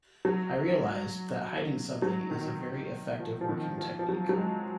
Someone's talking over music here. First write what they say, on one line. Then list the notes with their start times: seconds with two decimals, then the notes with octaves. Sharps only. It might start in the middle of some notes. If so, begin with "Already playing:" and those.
I realized that hiding something is a very effective working technique.
0.25 F#3
2.02 F#3
2.31 D#3
3.20 F3
3.41 F3
3.49 D#3
3.78 F3
3.99 F3
4.09 F#3
4.29 F#3
4.37 G#3